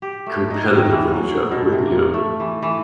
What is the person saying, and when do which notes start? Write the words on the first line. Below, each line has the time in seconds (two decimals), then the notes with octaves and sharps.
competitive with each other, with, you know,
0.02 G4
0.26 A3
0.50 D#4
0.75 D#3
0.91 E3
1.11 F#3
1.51 B2
1.72 C3
1.85 A#3
2.14 A3
2.40 E3
2.62 E3